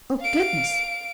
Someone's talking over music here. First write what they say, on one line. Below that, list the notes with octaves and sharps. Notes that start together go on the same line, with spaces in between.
Oh, goodness!
F5 D7